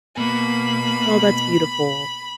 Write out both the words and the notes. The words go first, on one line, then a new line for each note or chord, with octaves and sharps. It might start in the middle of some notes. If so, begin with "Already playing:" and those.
Oh, that's beautiful.
B2 A#3 B3 B5